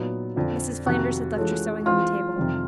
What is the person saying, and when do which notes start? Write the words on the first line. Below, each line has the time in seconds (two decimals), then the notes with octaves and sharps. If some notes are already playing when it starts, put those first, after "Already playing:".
Mrs. Flanders had left her sewing on the table.
Already playing: A#2 F#3 B3 D#4
0.36 F2 D3 F3
0.86 F2 C3 D#3 F#4
1.37 E3 G#3 C#4 F4 A4
1.86 E3 G#3 C4 F4
2.36 F2 C3 D#3 G3 C4